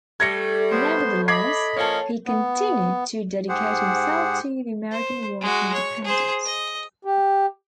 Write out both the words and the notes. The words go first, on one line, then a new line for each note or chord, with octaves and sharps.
Nevertheless, he continued to dedicate himself to the American War of Independence.
G3 A3 G#6 A#6 C#7
A2 B3 C5 C6
D#5 B5 D6 G#6 C7
F3 A#3 C#4 C#5 A5
B3
G#2 G4 G#4 C5 F#5
C5
G#3 F#4
C#5
G#4 C5
D#5
G4